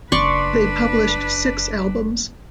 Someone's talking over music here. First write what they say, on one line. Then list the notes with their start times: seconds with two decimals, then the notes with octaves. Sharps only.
They published six albums.
0.12 F#1 F#2 D4 B4 D5 C6 C#6